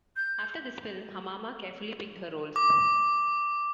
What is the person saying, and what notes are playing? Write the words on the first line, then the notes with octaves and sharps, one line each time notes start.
After this film, Hamama carefully picked her roles.
G6
D6